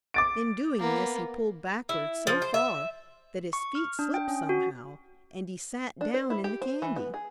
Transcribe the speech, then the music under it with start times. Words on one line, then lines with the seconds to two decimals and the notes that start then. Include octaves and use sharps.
In doing this he pulled backwards so far that his feet slipped somehow, and he sat down in the candy.
0.14 D6 A6 D7
0.79 A#3 B3
1.89 E4
2.27 F3
2.42 C5
2.54 E5
3.53 C#6
3.75 F6
3.99 D4
4.14 G5
4.28 C#4
4.49 F#4
6.01 D4
6.14 C5
6.30 E4
6.44 G4
6.62 C5
6.82 E3
6.96 B3
7.14 G#4